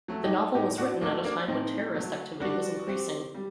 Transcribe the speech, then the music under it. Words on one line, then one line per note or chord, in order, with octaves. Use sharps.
The novel was written at a time when terrorist activity was increasing.
F#3 A3
D#4 G4
A2 D#4 G4
D4 F#4
F#3 A3 A#3 D4
A#3 D4
A2 C4 D#4
F#3 A3
G3 D4 F#4
C4 G4
G3